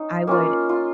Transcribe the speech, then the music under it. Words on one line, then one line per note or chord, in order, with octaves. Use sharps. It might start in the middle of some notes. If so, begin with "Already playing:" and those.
I would
Already playing: C#4 D#4
A#3 C#4 F4
F4